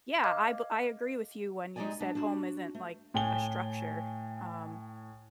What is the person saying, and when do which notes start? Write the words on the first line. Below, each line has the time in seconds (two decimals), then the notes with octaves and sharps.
yeah, I be I agree with you when you said home isn't, like, a structure, um,
0.24 D#5 F5 D6 F6 G#6
1.76 G#3 D#4 G4 G#4 D5 G#5
2.01 D4
2.15 D4 F#4
2.75 A3
3.14 A2 G5 G#5 G7